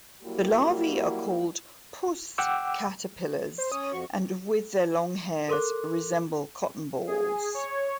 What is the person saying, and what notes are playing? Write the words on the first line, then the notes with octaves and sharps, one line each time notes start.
The larvae are called puss caterpillars, and with their long hairs, resemble cotton balls.
F#3 G3 A#3 E4 F#4 G4
F#5 G5 D6 E6
C5
C#4 C#5 D#6
F2 F3 F#4 C#6
A4 A#4 C6 D6 F#6
G#4
C#5